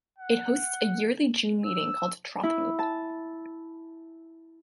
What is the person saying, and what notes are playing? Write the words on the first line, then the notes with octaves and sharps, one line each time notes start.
It hosts a yearly June meeting called Trothmoot.
F#5
E6
E4
A5